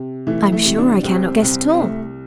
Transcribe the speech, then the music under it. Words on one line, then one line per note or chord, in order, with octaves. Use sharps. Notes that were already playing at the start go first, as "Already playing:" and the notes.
"I am sure I cannot guess at all."
Already playing: C3
E3 A3
A3
C3
D4
C2 C4
C2 C4
C4
C2 A3